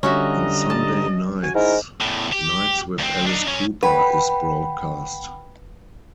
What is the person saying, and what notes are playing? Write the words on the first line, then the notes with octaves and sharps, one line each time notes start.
On Sunday nights, "Nights with Alice Cooper" is broadcast.
D3 G3 C#4 F#4 D#5 E5 A#5
A5
F#4 G#5
G#2 E4 A#4
E2 A2
G4
D2 C4
D4 D#4
F#3 C#4
B4 F#5 G5 B5